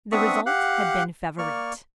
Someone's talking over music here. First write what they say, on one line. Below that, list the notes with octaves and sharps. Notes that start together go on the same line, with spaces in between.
The result had been Favourite.
B3 C4 D4 E5 C#6 D#6
G4 F5 F#5 F#6
A#3 D5 C#6 F6